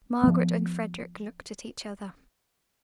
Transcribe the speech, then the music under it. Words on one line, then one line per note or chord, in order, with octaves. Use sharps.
Margaret and Frederick looked at each other.
F3 B3